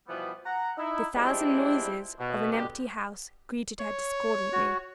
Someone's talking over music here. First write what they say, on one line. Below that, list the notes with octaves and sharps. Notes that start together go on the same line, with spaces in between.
The thousand noises of an empty house greeted her discordantly.
B2 E3 F3 G3 B3
F#5 A#5
D#4 E4
F3 G3 G#3 C4 D4 E4
B2
B2 D3 G3 G#3 G4
C#5
F#4